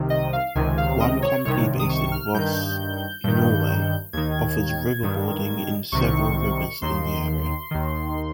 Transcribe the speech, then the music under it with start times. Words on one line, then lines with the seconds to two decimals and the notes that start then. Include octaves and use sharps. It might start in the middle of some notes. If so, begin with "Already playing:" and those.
One company based in Voss, Norway, offers riverboarding in several rivers in the area.
Already playing: C2 C3 D#3
0.10 D#5
0.33 F5
0.55 C#2 C3 D#3 G#5
0.78 F5
1.00 D#5
1.22 C#5
1.45 C2 C3 D#3 C#5
1.79 D#6
1.90 C#6
2.12 F6
2.34 G2 D#3 G6
3.24 G2 D#3
4.13 D#2 D#3 G#6
5.03 G2 D#3
5.92 C2 C3 D#3 C#6
6.82 D#2 D#3 C6
7.71 D#2 D#3